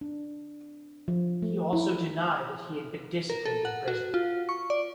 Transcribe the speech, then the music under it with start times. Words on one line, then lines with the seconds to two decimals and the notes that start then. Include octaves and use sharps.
He also denied that he had been disciplined in prison.
0.01 D4
1.08 F3
1.42 A3
1.73 E4
3.30 A#4
3.45 A4
3.65 F#5
3.88 F#4
4.14 F4
4.49 C#6
4.70 D5